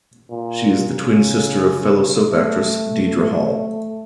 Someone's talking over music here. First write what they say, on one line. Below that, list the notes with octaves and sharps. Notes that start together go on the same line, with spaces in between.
She is the twin sister of fellow soap actress, Deidre Hall.
A#2
C#3
A3